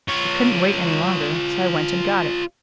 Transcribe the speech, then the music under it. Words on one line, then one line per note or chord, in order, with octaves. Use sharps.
"I couldn't wait any longer, so I went and got it."
F4 C#5